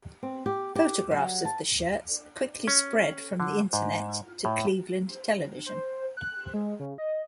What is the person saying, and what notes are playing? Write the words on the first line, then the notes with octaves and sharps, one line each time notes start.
Photographs of the shirts quickly spread from the Internet to Cleveland television.
C4
G4
G4
F#3
A5
C#4
D3
G#2
A2
C5
F#6
G#3
C#3
D#5